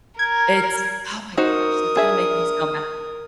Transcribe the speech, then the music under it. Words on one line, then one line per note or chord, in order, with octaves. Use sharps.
It's oh my gosh, that's gonna make me so mad.
A#4 G#6
D#4 F#4 A#4 C5 D#6
D4 G#4 E5